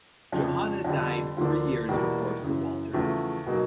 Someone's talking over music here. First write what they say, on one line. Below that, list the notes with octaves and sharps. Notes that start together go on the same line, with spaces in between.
Johanna died three years before Sir Walter.
F2 C#3 F3
F2 D3 G3
D2 D3 F3 A#3 D4
E2 B2 G3 A#3
F#2 C#3 E3
E2 C#3 F3 A3
B2 F#3 A#3 D#4